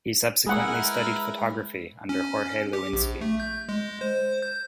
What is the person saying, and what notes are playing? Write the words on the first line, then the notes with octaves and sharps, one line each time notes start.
He subsequently studied photography under Jorge Lewinski.
G#3 E4 G#4 A#4 B4 F#5
C#4
G4
A#1
A3
G6
G#3
C5
G6